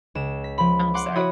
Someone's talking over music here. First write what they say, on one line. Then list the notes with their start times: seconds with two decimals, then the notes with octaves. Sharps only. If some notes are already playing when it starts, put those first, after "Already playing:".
oh, I'm sorry
0.15 C#2 E7
0.44 B6
0.58 F3 B5
0.94 F#5 C6 D6
1.15 E4 F#4 C#5 B5 D#6